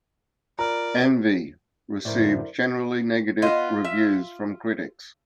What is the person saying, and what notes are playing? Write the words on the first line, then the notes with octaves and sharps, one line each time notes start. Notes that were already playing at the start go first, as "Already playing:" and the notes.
"Envy" received generally negative reviews from critics.
F4 A#4 D5 A#5 F6
F#2 A2 D3 F3 E4 A#4 C5 D5
B3 F4 D#5
E5